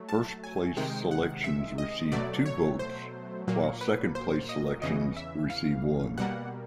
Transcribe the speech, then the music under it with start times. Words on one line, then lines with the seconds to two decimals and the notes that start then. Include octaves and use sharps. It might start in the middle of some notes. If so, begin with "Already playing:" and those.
First place selections receive two votes, while second place selections receive one.
Already playing: F#3 A3
0.09 A5
0.44 G#5
0.77 C3 D#3 G#3 G5
1.11 F#5
1.44 E5
1.78 D#5
2.12 B2 F#3 A3 D5
2.46 C#5
2.79 C5
3.47 A#2 F#3 A#3
3.81 B4
4.15 C5
4.49 D#5
4.82 E2 C#3 E3 D#5
5.17 E5
5.50 F5
6.18 B2 G3 A#3 F#5